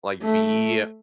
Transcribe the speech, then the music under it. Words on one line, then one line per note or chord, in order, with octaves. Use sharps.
like be
A3